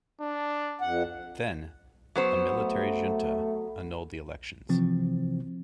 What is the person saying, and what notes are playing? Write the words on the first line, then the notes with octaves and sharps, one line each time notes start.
Then, a military junta annulled the elections.
D4
F2 F#5
F#3 B3 C5
A3
C3 E3 F3 C4